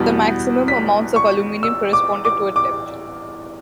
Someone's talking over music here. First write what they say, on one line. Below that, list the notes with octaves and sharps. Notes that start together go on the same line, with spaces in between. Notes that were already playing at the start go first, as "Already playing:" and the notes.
The maximum amounts of aluminium correspond to a depth.
Already playing: E2 B2 G3 B3
B6
C#6
E6
D6
D6
D6